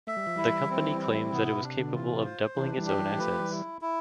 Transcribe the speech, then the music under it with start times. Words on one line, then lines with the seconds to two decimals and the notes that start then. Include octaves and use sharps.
The company claims that it was capable of doubling its own assets.
0.07 A3 E5
0.17 G3
0.27 F3
0.36 E3 G3 E4
0.70 C4
1.01 E4
1.31 C3 E3 B3
1.47 B2
1.63 C3 D4
1.79 B2 D3
1.94 C3 E3 F4
2.25 C5
2.56 C3 E3 D4
2.77 E3 G3
2.87 G4
2.98 E3 G3
3.18 F3 A3 B4
3.40 E3 G3
3.51 E4
3.82 E4